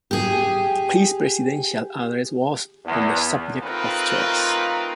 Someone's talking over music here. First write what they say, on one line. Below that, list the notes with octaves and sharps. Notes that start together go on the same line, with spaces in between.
His Presidential address was on the subject of choice.
G4 G#4
E2
A3 C4 D#4 F4 A#4 B4